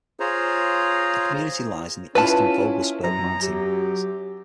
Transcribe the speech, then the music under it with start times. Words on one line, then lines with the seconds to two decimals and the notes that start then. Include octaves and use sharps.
The community lies in the eastern Vogelsberg Mountains.
0.20 F4 G#4 C5 C#5 A#5
2.15 C#4 E4 F4 B4 A5
3.04 F#2 A#5
3.42 F#3 G4